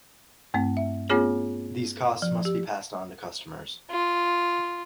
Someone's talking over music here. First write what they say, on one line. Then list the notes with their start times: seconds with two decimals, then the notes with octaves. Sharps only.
These costs must be passed on to customers.
0.54 G2 A3 C4
0.77 E5
1.10 A3 B3 C#4 F4 G#4 C#5
2.22 F3
2.45 G4
3.90 F4